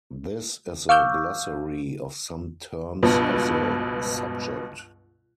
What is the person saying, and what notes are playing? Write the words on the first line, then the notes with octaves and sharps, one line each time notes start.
This is a glossary of some terms of the subject.
F5 C#6 D6 E6 F6 G6
C#2 G2 B2 F3